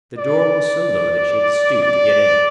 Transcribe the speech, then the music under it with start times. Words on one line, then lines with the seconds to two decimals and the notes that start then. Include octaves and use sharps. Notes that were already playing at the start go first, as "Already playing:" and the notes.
The door was so low that she had to stoop to get in.
0.18 D5
1.82 D5